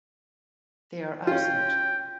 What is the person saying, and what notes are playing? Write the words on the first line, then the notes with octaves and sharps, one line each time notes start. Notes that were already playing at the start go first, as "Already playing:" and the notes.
They are absent.
C#4 F4 G5